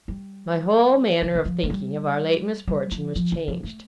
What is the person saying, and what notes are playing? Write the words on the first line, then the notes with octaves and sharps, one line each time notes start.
My whole manner of thinking of our late misfortune was changed.
G3
D3
D3
F3
A3
G3
G3
F3
F3
D3
F3
A3